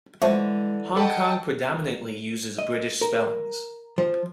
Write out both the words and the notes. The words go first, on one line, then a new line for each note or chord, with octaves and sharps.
Hong Kong predominantly uses British spellings.
D3 E3 F3 G#3 A3
A4 D#5 F#5 G5 A5 B5
D#5
A#4
F3